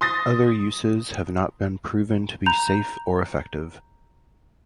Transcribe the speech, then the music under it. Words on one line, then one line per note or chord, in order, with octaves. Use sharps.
Other uses have not been proven to be safe or effective.
C6 D#6 A6 A#6
A#5 B5 G6 F7